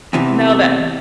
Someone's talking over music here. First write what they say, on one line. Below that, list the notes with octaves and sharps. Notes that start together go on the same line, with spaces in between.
No, that
E2 C3 E3